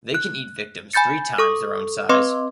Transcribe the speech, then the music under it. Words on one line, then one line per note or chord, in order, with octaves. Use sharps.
They can eat victims three times their own size.
F#6
G#5 B5 G6 A6 C#7
A4 C#6 D#6
C4 B4 D#5 C6 D6